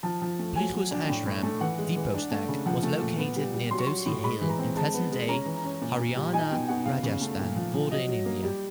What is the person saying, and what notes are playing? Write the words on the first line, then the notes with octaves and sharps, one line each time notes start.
Bhrigu's ashram 'Deepostak' was located near Dhosi Hill in present-day Haryana-Rajasthan border in India.
F3 A5
F3
A3
F#3 G#5
F#3
D4
A2 G5
A2
A3
E3 F#5
G#3
E3
D4
A3
C#3
F3 F#5
A3
A#2
B3
G3
G3
F#3 C6
C#6
F#3 C6
A2
G#3 B5
E3
A#5
C4
G#3 A5
B3
G#3
C#4 A#5
E3
C#4
A#2
A#2
G3
D#4 G#5
B2 G5
B2 F#5
C#3 F5
C#3
A3
A#2
F3
F3
F#3 D#5
F#3
A#3
G3